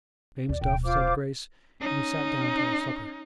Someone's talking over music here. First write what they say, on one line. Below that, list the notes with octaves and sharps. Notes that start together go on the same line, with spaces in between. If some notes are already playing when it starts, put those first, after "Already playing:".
James Duff said grace, and we sat down to our supper.
D#2 D5
D1 B2 G5
F4 C5 D6
C#4 D#4